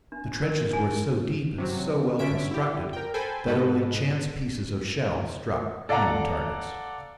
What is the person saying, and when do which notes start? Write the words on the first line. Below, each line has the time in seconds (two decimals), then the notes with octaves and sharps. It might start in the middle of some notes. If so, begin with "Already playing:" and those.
The trenches were so deep and so well constructed that only chance pieces of shell struck human targets.
0.12 D4
0.42 A#4
0.71 D4 G#5
1.58 C3 F#3
2.19 D3 C#4 E5 B6 D7
2.51 E4 G4
2.93 A#4 G5
3.14 A4 C5 G5 G#5 B5
3.47 G#2 B2 A4 B4 D#5
5.89 A4 D5 F5 F#5 A#5